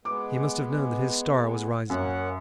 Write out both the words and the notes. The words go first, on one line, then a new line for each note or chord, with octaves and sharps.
He must have known that his star was rising.
G#3 B3 D6
F#2 A#3 C#4 F#5